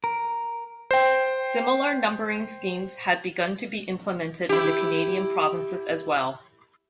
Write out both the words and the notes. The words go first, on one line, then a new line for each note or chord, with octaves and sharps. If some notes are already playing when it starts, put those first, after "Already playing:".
Similar numbering schemes had begun to be implemented in the Canadian provinces as well.
A#4
C5 G5
E4 G4